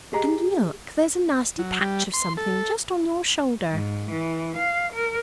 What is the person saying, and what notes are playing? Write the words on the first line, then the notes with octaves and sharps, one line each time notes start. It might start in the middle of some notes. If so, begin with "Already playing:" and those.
"And look, there's a nasty patch of something just on your shoulder."
G4 G#4 D#5 A#5
F#3
G3
C6
A4
G#2
E3
F5
A#4